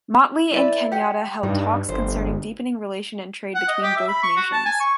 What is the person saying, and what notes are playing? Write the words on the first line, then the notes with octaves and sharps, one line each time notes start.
Mottley and Kenyatta held talks concerning deepening relation and trade between both nations.
E4 B4 D5
G4 F#5
G2 D#4
G1 C5
F#5
D#5
G4
E5
B5
C#6
F#4
A5
G#5
C#6